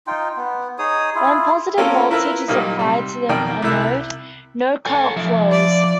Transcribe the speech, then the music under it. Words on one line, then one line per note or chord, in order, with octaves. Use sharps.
When positive voltage is applied to the anode, no current flows.
D#4 F4 G5
B3
D#4 G#4 C#5 D#6
E4 F4 G#4
A#3 C4 C#4 F4 A4 A#4
E4 F4 A#4 B4 E5 A#5
A#2 F#3 G3 A#3 D#4
C3 G3
F2 B2 D#3 A#4 D5 G5
C2 E4 E5 F#6
A4 C#5 G#5
F3 E5
D5